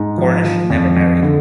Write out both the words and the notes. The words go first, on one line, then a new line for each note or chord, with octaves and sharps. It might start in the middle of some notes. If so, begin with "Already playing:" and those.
Cornish never married.
Already playing: G#2
F3
F3
F2
F2
D3